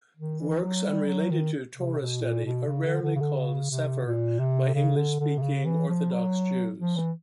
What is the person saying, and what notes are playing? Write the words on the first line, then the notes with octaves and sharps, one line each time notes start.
Works unrelated to Torah study are rarely called "sefer" by English-speaking Orthodox Jews.
D#3
E3
F#3
G3
F#3
D#3
C3
B2
A#2
B2
C#3
D3
D3
C#3
D3
C#3
C3
A#2
C3
C#3
D3
D3
C3
C#3
E3
F3
F#3
F3
E3